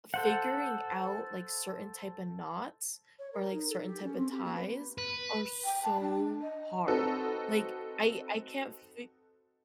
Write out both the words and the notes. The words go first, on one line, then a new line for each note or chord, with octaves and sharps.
figuring out, like, certain type a knots or, like, certain type a ties are so hard, like, I I can't fi
A4 C5 F#5
C#5
A#4
D#4
A4
G4
C#4
C4
G4
A#3
B4
B4
G5
A5
D4
D#5
C4 D#4 F#4 A4 B4